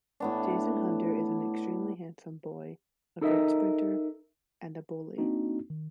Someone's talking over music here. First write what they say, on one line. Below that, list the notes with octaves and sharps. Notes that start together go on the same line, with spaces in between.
Jason Hunter is an extremely handsome boy, a great sprinter...and a bully.
A2 B3 D4
D#4 A4 A#4 D#5 E5
A#3 C4 D4 D#4 F#4
D#3